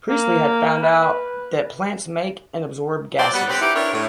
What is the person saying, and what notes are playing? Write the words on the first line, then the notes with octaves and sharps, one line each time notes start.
Priestley had found out that plants make and absorb gases.
A#3
B4
F#3 C5 D5
G3 B3 F#5
D2 C4 G4 B4
D#4 E4 G4
D4 E4 A#4 C#5
A2